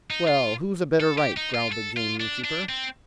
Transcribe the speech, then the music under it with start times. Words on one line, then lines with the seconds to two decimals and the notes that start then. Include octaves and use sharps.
"Well, who's a better right?" growled the gamekeeper.
0.10 D#4
0.27 F4
1.00 A4
1.18 G4
1.37 D#4
1.54 F4
1.72 A4
1.97 F4
2.20 D4
2.44 D4
2.69 C4